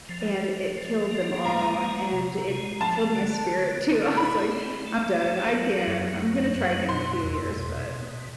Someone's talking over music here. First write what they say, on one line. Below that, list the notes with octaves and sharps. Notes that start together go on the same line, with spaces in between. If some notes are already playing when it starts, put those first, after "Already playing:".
and it killed them all and it killed my spirit too. I was like, "I'm done, I can't, I'm gonna try again in a few years," but
F3
F3
F3
A#3
G#3 A#5
G#3
C3
G#3
F3 A5
D3
D3
D3
E4 B5
C4
A3
A3
F#3
F#2
F#3
F#2
B2 C6
E2
B2
B2